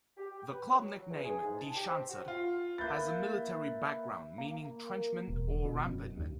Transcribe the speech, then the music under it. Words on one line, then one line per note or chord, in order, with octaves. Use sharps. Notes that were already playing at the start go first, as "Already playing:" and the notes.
The club nickname "Die Schanzer" has a military background, meaning trenchmen or rampartmen.
G4
G5
B4
F#3
E2
G#4
G#2
A5
G4
C4
F#4
F4
A#3 E4 B4 G6 A6
A#3
E1
B2
F#2
D#2